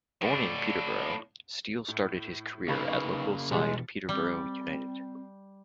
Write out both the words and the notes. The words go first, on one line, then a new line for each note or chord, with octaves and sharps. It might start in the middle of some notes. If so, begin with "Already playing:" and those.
Born in Peterborough, Steele started his career at local side Peterborough United.
A2 D4
A2
C#3 A#3 D#4 B4 F5 B5 C#6
B2 E3 F3 G3 G#3
G3 C4